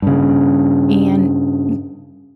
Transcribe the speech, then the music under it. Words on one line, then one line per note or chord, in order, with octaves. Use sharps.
And m
G2 C#3